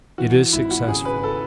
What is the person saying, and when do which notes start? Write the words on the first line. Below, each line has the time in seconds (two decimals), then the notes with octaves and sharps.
It is successful.
0.18 E3 F#4
0.53 G#1 E4
0.71 F#4
0.88 C#3 G#4
1.05 B4
1.23 A4